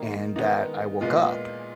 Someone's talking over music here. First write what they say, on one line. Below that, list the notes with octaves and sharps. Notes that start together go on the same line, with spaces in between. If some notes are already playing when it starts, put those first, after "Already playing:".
and that I woke up
Already playing: D#3 A#3 D#4
D#3 G#3 B3 D#4
A#2 G#3 B3 F4